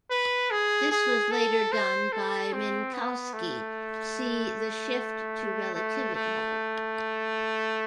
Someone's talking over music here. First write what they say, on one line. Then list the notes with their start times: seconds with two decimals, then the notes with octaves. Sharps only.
This was later done by Minkowski, see "The shift to relativity".
0.11 B4
0.51 G#4
0.91 G#4
1.31 A4
1.72 C5
2.12 A4
2.53 C4
2.93 B3
3.33 A3
5.75 A3
6.15 A3